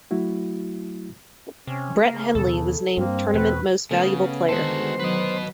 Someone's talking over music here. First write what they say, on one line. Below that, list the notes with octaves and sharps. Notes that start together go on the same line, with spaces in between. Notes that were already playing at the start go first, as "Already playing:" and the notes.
Brett Hendley was named Tournament Most Valuable Player.
F#3 A3 E4 F#4
C3 C#4
C#3 A#3
D#2 B2 A4
G2 A#3 C4
E2 B2 B4
C#3 A3 B3 G#4
D3 D#3 G#3 F#4 A4 C5
D#3 F#3 B4 D#5